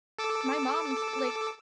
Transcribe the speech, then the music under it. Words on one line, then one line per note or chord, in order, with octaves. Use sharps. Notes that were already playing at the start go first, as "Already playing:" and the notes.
my mom's, like,
A4 D6 E6